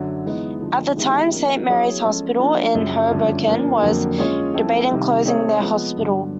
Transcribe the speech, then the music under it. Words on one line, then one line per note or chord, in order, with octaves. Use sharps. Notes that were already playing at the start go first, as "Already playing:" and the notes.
At the time, Saint Mary's Hospital in Hoboken was debating closing their hospital.
Already playing: F#2 D3 F#3
E3 G#3 B3 D#4
D3 F3 G#3
D#3 G#3 B3 E4 G4
F3 A#3 C#4
F#3 B3 E4 G#4 C#5
F3 G#3 C#4 F4 A4
F3 A#3 D4
F#2 C#3 F3
G2 D3 F3 A3 C#4
F3 A#3 D4
F2 D3 F#3 A#3
G#3 C#4 F4 G#4 C#5
F3 A3 C4 E4 A4
C3 D#3 G3
A3 C4 D#4 G#4 C#5
F3 G#3 B3
G2 D3 F#3